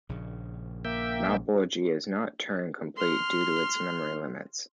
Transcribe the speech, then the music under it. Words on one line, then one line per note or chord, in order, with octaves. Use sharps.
Malbolge is not Turing-complete, due to its memory limits.
A#1 C#3
A#3 E5 G5
C6 F6